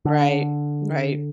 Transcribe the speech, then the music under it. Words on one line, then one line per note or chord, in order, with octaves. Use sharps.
Right, right.
D3